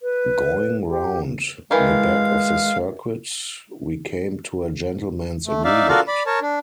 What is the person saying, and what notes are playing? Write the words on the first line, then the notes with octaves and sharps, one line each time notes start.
Going round the back of the circuit we came to a gentleman's agreement.
B4
G4
D#3 E3 G#3 F5
A3
D#4 D5 E5 F5
F4 F#4 A4 A#4 D5 F5
D5 B5
A#4 C#5 A5
D4